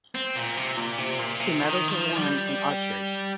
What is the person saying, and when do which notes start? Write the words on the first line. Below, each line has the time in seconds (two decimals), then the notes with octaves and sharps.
Two medals were won in archery.
0.15 C4
0.36 A#2
0.57 C3
0.77 A#2
0.98 C3
1.19 A#2
1.40 C3
1.60 D#3
1.88 F3
2.15 G3